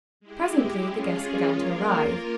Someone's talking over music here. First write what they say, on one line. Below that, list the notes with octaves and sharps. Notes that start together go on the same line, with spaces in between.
Presently the guests began to arrive.
G#3 E4 G4
G#3 C#4 F4 G#4
A#3 F4 A#4